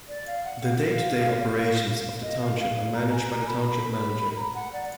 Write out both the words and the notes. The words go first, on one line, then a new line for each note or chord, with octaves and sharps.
The day-to-day operations of the township are managed by the Township Manager.
D5
F5
F#5
F5
D#5
F5
F5
F5
A#5
G#5
A#5
B5
A#5
B5
A#5
F#5
D5